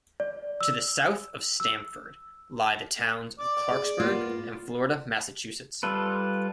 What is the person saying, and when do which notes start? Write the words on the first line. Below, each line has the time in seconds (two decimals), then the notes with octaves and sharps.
To the south of Stamford lie the towns of Clarksburg and Florida, Massachusetts.
0.20 D5
0.61 E6
1.60 E6
3.40 D5 D6
3.71 G#4
4.00 A#3 B3 F4
5.83 G3 F4 A4 B4